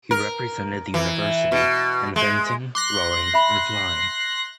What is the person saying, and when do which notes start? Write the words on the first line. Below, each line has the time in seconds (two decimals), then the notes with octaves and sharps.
He represented the university in fencing, rowing and flying.
0.11 A#4
0.94 E3
1.52 B2
2.16 G#3
2.75 C6 D6 F#6 A#6
3.34 E5 B5